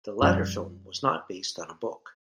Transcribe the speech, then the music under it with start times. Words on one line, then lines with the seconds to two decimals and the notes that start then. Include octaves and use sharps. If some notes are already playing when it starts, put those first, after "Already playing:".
The latter film was not based on a book.
0.22 F#2 B2 F3 G3